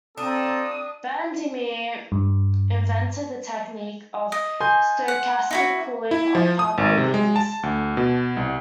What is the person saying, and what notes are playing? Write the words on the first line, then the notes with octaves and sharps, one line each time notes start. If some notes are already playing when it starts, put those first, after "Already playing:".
Van der Meer invented the technique of stochastic cooling of particle beams.
C4 D4 F4 A4 A#5 D#6
G2
D#5
G#5 C6 G6
F#5
D#4 E4 F#4
E4
F3
D#6
G#1
C3
G#3
A5
D2
B2
C2